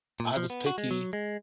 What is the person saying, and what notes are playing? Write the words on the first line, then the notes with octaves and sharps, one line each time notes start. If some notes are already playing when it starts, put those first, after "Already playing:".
I was picky,
A#2
F3
B3
F#4
G#3
F#3
G#3